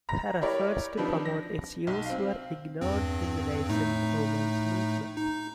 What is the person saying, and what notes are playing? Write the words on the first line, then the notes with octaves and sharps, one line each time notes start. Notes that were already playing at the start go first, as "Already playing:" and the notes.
Her efforts to promote its use were ignored in the nascent Women's Movement.
A#5 A#6
E4 G4 A#4 C#5 D5
F3 C4 D4 D#4 G4 B4
A#6
B1
C4 F5
E2 G2 C4
A2 A3 D#4
D#4